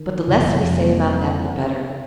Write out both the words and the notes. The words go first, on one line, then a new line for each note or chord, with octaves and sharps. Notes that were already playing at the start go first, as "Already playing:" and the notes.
But the less we say about that the better.
Already playing: D#3
F1 C#3 F3
D#3 G3
F2 F3 G#3
G3 A#3
F2